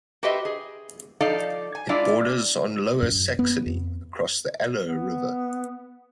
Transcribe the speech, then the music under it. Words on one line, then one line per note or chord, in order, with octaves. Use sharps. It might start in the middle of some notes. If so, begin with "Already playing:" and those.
It borders on Lower Saxony, across the Aller river.
F#4 G4 B4 C5 D#5 E5
G#4
F3 D#4 A4 D5 F5
G#5
G#3 D4 E4 F4 D5 F5
F#2
B3
F2
B3